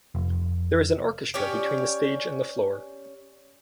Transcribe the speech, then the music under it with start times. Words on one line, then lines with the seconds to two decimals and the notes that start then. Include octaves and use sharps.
There is an orchestra between the stage and the floor.
0.15 F1
1.34 C#4 G4 C#5 D5